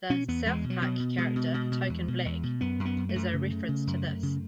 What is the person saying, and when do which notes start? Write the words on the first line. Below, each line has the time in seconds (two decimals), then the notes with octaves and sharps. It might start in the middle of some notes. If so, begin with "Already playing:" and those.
The "South Park" character Token Black is a reference to this.
0.10 B2 C#4
0.28 E2 B3
0.46 E2 G#3
0.64 B2
0.70 F#3
0.82 B2
1.00 B2
1.18 B2 G#3
1.36 B2
1.54 B2
1.71 B2
1.89 E2
2.08 B2
2.26 E2
2.43 B2
2.61 F#2 B3
2.79 F#2
2.85 B3
2.97 F#2
3.09 A3
3.15 F#2
3.33 C#3
3.51 C#3
3.68 C#3
3.87 F#2
4.04 F#2
4.23 C#3